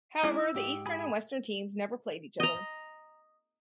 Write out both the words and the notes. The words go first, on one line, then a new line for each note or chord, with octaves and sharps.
However, the eastern and western teams never played each other.
G#3 C#4 E4 D5
E6
G#2 G4
G#4 B5
D#5 A#5